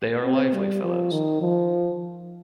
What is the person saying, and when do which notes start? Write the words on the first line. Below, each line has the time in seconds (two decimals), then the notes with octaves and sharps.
They are lively fellows.
0.25 C4
0.53 G3
0.83 F3
1.12 D#3
1.41 F3